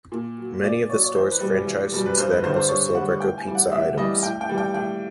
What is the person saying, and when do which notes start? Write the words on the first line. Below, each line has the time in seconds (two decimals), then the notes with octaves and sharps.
Many of the stores franchised since then also sell Greco Pizza items.
0.12 A#2
0.38 F#3
0.63 A#2 D5
0.90 F#3 C#5
1.04 C#5
1.15 E2 C5
1.32 B4
1.40 B2 G3
1.66 E2
1.92 B2 G3
2.06 B4
2.18 G2 C5
2.31 B4
2.44 D3 G3 C5
2.56 C5
2.69 G2 C#5
2.95 D3 G3 F#5
3.20 A2 G5
3.38 G#5
3.46 E3 G3
3.55 F#5
3.72 A2 E5
3.97 E3 G3 D#5
4.23 A2 G5
4.41 G5
4.49 E3 G3
4.58 G5
4.74 A2 G5